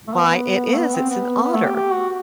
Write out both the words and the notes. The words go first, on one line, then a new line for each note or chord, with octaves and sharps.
why it is, it's an otter."
A3
B3
A3
B3
C4
B3
B3
A3
G4
G4
F#4